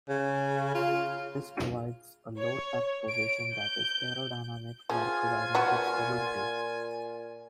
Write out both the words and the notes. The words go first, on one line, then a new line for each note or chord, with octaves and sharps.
This provides a low tucked position that is aerodynamic while providing good stability.
C#3
F4
C#5
D7
G6
F3 F4 G#4 G#5
A#2 F#4 B4